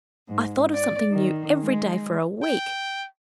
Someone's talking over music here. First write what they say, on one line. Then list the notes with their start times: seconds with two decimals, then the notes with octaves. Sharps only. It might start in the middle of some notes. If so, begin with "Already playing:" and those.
I thought of something new every day for a week.
0.28 G#2
0.72 D5
1.11 D#3
1.59 G#3
2.42 G5